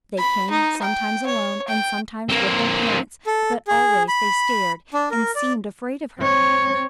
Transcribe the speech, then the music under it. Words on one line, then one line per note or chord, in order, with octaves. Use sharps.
They came, sometimes alone, and sometimes with their parents, but always they stared and seemed afraid of her.
B5
D#4
G5
C#5
G5
A#3 C4
A4
G#4
B5
D4
A#4
D5
C4 C#5